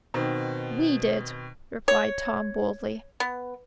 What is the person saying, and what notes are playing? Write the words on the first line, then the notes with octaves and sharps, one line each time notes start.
"We did," replied Tom boldly.
B2 D#3 C4
C#5
B3